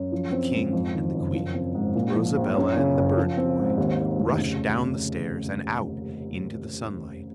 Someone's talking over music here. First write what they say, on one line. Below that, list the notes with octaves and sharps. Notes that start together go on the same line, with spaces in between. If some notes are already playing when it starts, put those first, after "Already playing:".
The King and the Queen, Rosabella and the bird-boy, rushed down the stairs and out into the sunlight.
Already playing: F#2
F3
C4
G#2
F2
D#3
F#1
F3
C4
G#2
A#2
F3
A#1
F#2
C#3
F#1
F3
C4
G#2
D#2
D#3
F1
C#3